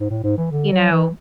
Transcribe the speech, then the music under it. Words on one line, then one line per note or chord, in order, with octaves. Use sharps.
you know,
G#2
A2
G#2
E3
D3
F#3
E3